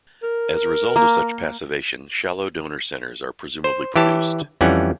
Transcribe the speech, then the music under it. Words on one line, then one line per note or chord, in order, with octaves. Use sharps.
As a result of such passivation, shallow donor centers are presumably produced.
A#4
A#3
C5
E3 G4 C#5 A5
F2 E3 G3 C#4 F#5